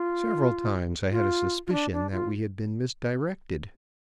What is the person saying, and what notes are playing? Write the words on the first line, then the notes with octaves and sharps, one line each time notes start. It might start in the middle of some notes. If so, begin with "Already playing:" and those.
Several times I had a suspicion that we had been misdirected.
Already playing: F4
F4
F4
D4
D4
F4